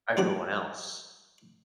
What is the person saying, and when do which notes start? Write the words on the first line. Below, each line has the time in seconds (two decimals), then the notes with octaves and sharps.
everyone else?
0.17 A1 A#2 F#3 D4 D6